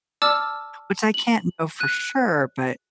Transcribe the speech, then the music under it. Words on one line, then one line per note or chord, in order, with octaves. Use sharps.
which I can't know for sure, but
D5 A5 D6 E6 F6
F#7
F#6 D#7